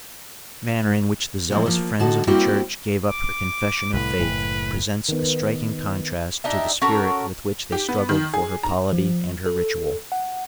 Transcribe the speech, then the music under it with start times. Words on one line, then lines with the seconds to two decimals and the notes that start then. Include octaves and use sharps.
The easy manner in which the zealous friends of the Church gave up her confession of faith presents a striking contrast to the spirit with which they struggled for her polity and her ritual.
1.50 E3 F3 G#3 A#3 C4
1.66 F3 A#3
1.99 A2 D3 D#4 F#4 A5
2.27 G3 A#3 C4 E4 F#4 G4
3.10 D6
3.94 C2 A2 B4
4.19 F#1 A2
5.09 D#3 B3
6.44 D4 D#4 G4 E5
6.81 C#4 F#4 A4 A#4
7.72 G4
7.89 B3
8.09 D#3
8.34 G#4
8.63 A#5
8.93 F3
9.46 A4
10.12 F#5